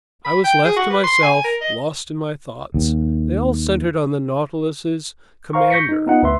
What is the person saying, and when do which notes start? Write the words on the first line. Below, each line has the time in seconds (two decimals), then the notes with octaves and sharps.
I was left to myself, lost in my thoughts. They all centered on the Nautilus's commander.
0.25 B5
0.44 G5
0.65 G#4
0.76 F#4
0.90 B4
1.04 C6
1.23 G#5
1.44 A#4
1.61 D#5
2.74 D#2
5.53 C5 F5 A#5 C#6
5.70 C#6 G6 A#6 B6 C#7
5.89 D#4
6.07 B3 D#4 F4 F#5
6.23 D2 B4 E5 C6